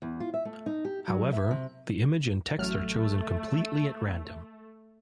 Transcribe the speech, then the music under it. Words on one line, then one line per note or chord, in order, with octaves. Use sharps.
However, the image and text are chosen completely at random.
E2
F4
E5
A3
D#4
G4
F#3
E5
C3
A1 F#3 A3 F6